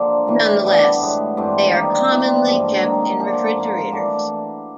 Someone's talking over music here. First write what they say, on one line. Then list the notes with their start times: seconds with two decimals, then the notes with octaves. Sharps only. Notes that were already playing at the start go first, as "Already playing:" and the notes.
Nonetheless, they are commonly kept in refrigerators.
Already playing: A#2 D3 F3 A#3
0.27 A2 E3 G3
0.64 D3 G3 B3
1.00 A2 E3 G#3 B3
1.37 G2 E3 A3 C4
1.73 D#3 G3 A#3
2.10 C3 E3 G3 C4
2.46 G2 D3 F3 G#3
2.83 C3 D#3 F#3 A#3
3.19 F3 A#3 D4 F#4
3.56 G#2 F3 A#3
3.92 E3 A3 D4 F#4